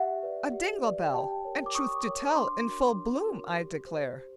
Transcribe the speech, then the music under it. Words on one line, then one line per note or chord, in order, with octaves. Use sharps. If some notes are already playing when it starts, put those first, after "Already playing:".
"A dingle-bell, and truth to tell In full bloom, I declare!"
Already playing: G4 E5 F#5
B4 D5
G4
B4 D5
G4 G5 A5
A#4 C#5
D6
G4 C#6 D#6
A#4 C#5
D4 C6 D6
F#4 A#4 C#5
D4
F#4 A#4 C#5
G4
C5
G4